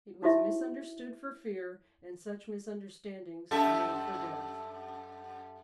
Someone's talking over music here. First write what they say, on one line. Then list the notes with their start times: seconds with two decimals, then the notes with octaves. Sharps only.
It was misunderstood for fear, and such misunderstandings made for death.
0.22 D#4 E4 F#4 G4 C5 E5
3.51 F#2 A4 E5